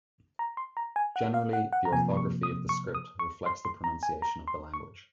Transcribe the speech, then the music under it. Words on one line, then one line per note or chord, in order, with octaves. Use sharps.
Generally the orthography of the script reflects the pronunciation of the language.
A#5
C6
A#5
G#5
F#5
F5
F#5
F#5
A#5
C3 F3 A#3 G#5
C#6
D#6
C#6
D#6
C#6
C6
C6
A#5
G#5
A#5
C6
C#6